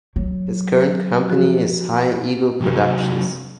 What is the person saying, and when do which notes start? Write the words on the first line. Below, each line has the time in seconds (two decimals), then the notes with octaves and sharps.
His current company is High Eagle Productions.
0.16 F#3
1.30 F3 F#4
2.62 C3 F#3